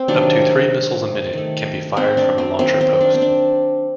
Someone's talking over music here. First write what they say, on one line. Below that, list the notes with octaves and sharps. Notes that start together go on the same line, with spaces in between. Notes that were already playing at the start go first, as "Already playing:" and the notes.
Up to three missiles a minute can be fired from a launcher post.
Already playing: C4
C3 D#3 F#3 A#3 D4
D#3 A3
C4
D4
C4
D#3 F#3 A#3 C4
C4
D4
C4
D4